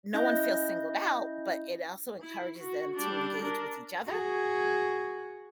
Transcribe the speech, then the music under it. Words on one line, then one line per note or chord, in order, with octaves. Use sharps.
no one feels singled out, but it also encourages them to engage with each other,
C#4 E4 D#5 E5 G6 A#6
E4
F#4
G3 D4
D4 A#4
F#4 G#4